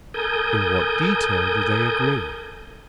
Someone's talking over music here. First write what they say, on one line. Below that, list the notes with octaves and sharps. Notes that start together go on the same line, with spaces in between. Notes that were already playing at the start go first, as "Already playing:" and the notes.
In what details do they agree?
A4 A#4 G#5 D#6 G6